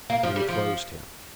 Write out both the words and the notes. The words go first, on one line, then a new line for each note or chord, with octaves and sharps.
It inclosed him.
A#3
F3
G3
F3